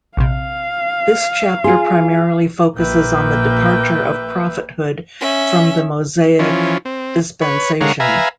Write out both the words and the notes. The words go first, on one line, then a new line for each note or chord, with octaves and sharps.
This chapter primarily focuses on the departure of prophethood from the Mosaic dispensation.
A#1 C3 F5
F4 G#4 C6
A#1 A#3 B4 E5 G5
C#4 E5
E3 F3 C#4
C4
B4 C#5
D3 G#3 A#4 C#5 F5 F#5
B4 E5 F5 G#5 A#5